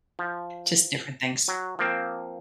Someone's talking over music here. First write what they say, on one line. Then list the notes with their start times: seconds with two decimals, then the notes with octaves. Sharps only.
just different things.
0.19 F3
1.48 F#3
1.79 F3 A#3 C4